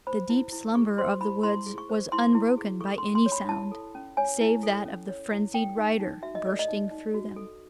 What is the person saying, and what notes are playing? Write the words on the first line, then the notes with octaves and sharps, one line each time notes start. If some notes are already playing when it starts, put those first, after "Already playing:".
The deep slumber of the woods was unbroken by any sound save that of the frenzied rider bursting through them.
C5 B5
E4
E4
G#4 C#6
C5 C6
E4 B5
E4 C6
G#4
C#6
C5
E4 C6
E4
G#4
A4 C#6
C6
C#4
C6
C#5
B5
E4 A5
A4
C#4
C#5 G#5
E4
A4
C#4
C#5
E4
A4 G5
D#4
D#4
F#4 E5
D#5
A4 D5
D#5
D#4
D#4
F#4
A4